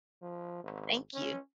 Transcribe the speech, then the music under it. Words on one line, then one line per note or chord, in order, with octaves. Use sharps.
thank you.
F3
G#1
C#4